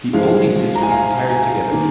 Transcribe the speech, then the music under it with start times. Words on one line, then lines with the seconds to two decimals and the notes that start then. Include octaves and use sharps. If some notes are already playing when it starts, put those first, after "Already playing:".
The Olney sisters retired together.
0.13 G#2 F3 G#3 F5
0.75 A#5
0.83 G#5
0.92 F5
1.31 G#5
1.72 D#3 A#3